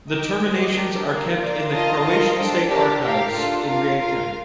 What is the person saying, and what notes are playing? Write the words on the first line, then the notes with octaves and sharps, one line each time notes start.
The Terminations are kept in the Croatian State Archives in Rijeka.
G4 A#4 D#5 G5
G4 C5 D#5
D4 G4 A#4
A#3 D#4 A#4
F4 A#4 D5
F4 A#4 D#5 A5
F4 A#4 D#5
D4 A4 C5 G5
D4 G4 A#4 D5 A5
G4 A#4 F5
D4 F4 A4
F4 A#4 F5
F4 A#4 F5